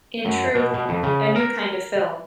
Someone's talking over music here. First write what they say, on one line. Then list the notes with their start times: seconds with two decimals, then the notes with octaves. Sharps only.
In truth, a new kind of film.
0.25 F#2
0.55 B2
0.74 B2
0.89 F2
1.03 C#3
1.36 A#4